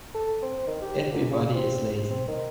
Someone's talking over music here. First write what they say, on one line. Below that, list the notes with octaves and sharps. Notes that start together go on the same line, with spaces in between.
Everybody is lazy!
A4
C4
D#3
G4
F#2
C#3
C4
C4
D#3